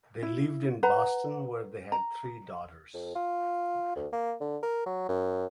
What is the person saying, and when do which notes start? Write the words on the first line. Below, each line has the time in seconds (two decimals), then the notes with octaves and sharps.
They lived in Boston where they had three daughters.
0.23 E4
0.83 B4 F#5 A#5
1.92 A#5
2.94 F2
3.15 F4
3.96 D2
4.12 A#3
4.40 D3
4.62 A#4
4.86 F#3
5.09 F#2